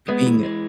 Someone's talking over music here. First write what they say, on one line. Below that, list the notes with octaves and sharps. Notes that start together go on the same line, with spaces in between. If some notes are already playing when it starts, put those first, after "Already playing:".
you're being
G#3 B3
E3
G#3